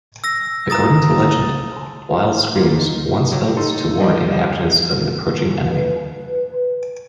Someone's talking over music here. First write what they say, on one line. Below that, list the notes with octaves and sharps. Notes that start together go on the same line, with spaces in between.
According to legend, wild screams once helped to warn inhabitants of an approaching enemy.
E6 A#6
A#5 D#6 A6
A#3 F4
D#4
F#3 G4
D#4 A4 C6
F3 G3 G4 D5 D#5
B4